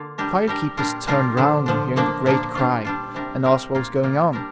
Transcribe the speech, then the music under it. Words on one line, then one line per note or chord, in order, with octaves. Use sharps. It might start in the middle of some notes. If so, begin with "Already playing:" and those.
The fire-keepers turned round on hearing the great cry, and asked what was going on.
Already playing: D3 A#3 F4
G3 D4 G4 A#4
G3 D4 G4 A#4
A#2 G3 D4 F4 A#4
A#2 G3 D4 F4 A#4
D3 F3 D4
D3 F3 D4
A#2 F3 A#3 D4
A#2 F3 A#3 D4
G3 D4 F4
G3 D4 F4
C3 G3 D4 A#4
C3 G3 D4 A#4
A#2 A#3 F4
A#2 A#3 F4
G3 D4 A#4